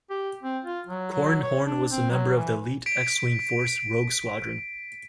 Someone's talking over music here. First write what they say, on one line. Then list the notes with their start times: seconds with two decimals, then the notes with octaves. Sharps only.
Corran Horn was a member of the elite X-wing force Rogue Squadron.
0.10 G4
0.43 C4
0.65 F4
0.87 F#3
1.12 F#3
1.42 C#5
1.66 D4
1.91 C4
2.11 F#3
2.37 E3
2.86 B6 D7